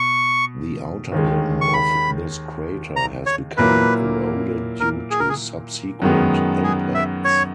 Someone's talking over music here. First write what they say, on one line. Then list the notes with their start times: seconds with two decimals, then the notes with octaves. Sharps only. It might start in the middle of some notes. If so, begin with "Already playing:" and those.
The outer rim of this crater has become eroded due to subsequent impacts.
Already playing: B2 C#6
1.12 D#2 D#3 G#3
1.61 C#6
1.74 B5
2.96 A#5
3.26 C#5
3.57 A#2 F#3 A#3 E4 B4
4.80 A#4
5.11 G#4
5.20 A#4
5.29 G#4
6.02 F#2 D#3 G#3 B3
6.64 G#4
6.94 E5
7.25 C#5